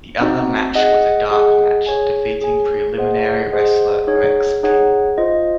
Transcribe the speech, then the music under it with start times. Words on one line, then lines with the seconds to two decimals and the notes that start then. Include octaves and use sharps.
The other match was a dark match, defeating preliminary wrestler, Rex King.
0.21 C4 D#4 F#4
0.75 G#4 D#5 F#5
1.31 G#4 D#5 F#5
1.86 G#4 C#5 G#5
2.41 G#4 C#5 G#5
2.97 G#4 C5 D#5 F#5
3.52 G#4 C5 D#5 F#5
4.07 D#4 G#4 C#5 F#5
4.63 D#4 G#4 C#5 F#5
5.18 F4 C5 D#5